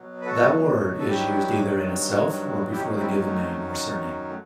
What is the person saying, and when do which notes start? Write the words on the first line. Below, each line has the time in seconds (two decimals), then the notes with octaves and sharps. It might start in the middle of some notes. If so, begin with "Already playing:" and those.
That word is used either in itself or before the given name or surname.
Already playing: B2 F#3
0.21 B4
0.26 F#4 A4
0.99 A4
1.08 G2 D#3 F#3 E4 G4
2.71 F#2 D#3 F#3 E4 G4
2.98 C4 E4
3.26 A3
4.29 A3